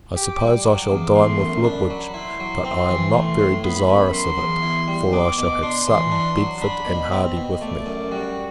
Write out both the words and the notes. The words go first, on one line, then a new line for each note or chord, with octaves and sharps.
I suppose I shall dine with Lutwidge: but I am not very desirous of it; for I shall have Sutton, Bedford, and Hardy, with me.
G4 D6
G3
F#3 D6
E2
A3 C6
F#2
D4 B5
F#3
E4 C6
F#3
C4 C6
E3
A3 C6
A2
B3 B5
F#2
F#3 C6
E2
E4
G3
B3 D6
B2
D4 C6
E3
D4
F#3
D4 B5
B2
C4
B2
A3 D5
F#2
G3 F#4